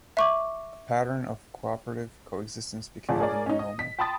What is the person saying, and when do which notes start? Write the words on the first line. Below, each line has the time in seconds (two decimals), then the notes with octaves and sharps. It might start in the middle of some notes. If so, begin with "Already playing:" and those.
A pattern of cooperative coexistence became the new normal.
0.17 E5 C#6 D6
3.09 G1 F3 G#4 D5
3.20 G#4 A#4 C#5 D5
3.46 C#4 D#4
3.59 D#5
3.79 B6
3.99 G5 A5 B5 C6 D#6 A6